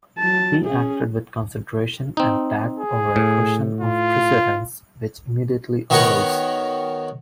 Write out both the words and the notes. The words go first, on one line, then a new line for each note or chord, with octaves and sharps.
He acted with consideration and tact over a question of precedence which immediately arose.
F#3 A5
C#4 G#4
C4 D#4
G#4
A2
F4
D#3 B3 F#4 A#4 C#5 C#6